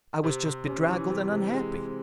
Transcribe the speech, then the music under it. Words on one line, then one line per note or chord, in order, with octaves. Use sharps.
I was just bedraggled and unhappy.
C3
C3
C3 C#4
E3
C3 C4
C3
G#3
C3